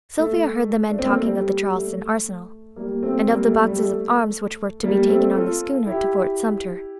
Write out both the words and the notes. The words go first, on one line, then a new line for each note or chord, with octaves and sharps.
Sylvia heard the men talking of the Charleston Arsenal, and of the boxes of arms which were to be taken on the schooner to Fort Sumter.
A3
D4
C4
A#3
A3
G3
A3
G3 A#3
A3 C4
G3 A#3
A3
G3
A3
G3 A#3
A3 C4
F4 A4
E4 G4